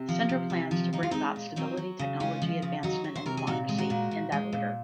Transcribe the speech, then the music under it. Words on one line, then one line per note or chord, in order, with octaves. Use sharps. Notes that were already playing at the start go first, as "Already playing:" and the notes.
Center plans to bring about stability, technological advancement and democracy, in that order.
Already playing: C3
F3
C3
C3
F3
F3 D#4
F4
G#3 C4 D#4
A#2
F#3 C4 D#4
F#3
C#3
G#3 C#4 F4
F3
C#3
F#3 D#4 F#4
F#3
C5
C3 A#4
G#4
A#2 D#4 F#4
G#3
F#4 A#4
A#2
A#2
G#3
A#2